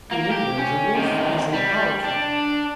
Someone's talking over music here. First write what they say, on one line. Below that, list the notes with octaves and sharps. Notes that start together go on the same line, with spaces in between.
In England the wolf is an outlaw.
A#3
G4
C#4
C3 D#3
G3
D4